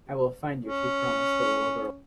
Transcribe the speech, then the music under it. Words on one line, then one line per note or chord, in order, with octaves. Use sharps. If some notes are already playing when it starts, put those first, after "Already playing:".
"I will find you.", she promised the little girl.
C#4